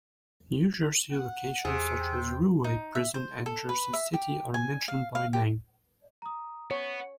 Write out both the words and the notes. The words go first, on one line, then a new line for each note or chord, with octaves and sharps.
New Jersey locations such as Rahway Prison and Jersey City are mentioned by name.
F#5
E2 C3 G#4
G5
D#4
E5
C5
A4
B4
E5
G4
G#5
F5
F5
G4
A#5 D#6
B3 C#5 C#7